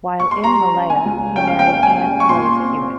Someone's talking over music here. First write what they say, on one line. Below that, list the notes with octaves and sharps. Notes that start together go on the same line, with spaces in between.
While in Malaya, he married Anne Rose Hewitt.
C#6
C6
G3 A#5
C#4
G#5
C#2
C#4 G5
F5
G5
C#4
G#5
C#4
C#6
A#2 C6
C4